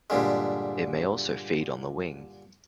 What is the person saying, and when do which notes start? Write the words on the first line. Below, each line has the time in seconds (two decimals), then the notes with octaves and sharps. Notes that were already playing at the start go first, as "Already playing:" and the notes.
It may also feed on the wing.
0.10 G2 A#2 D3 G#3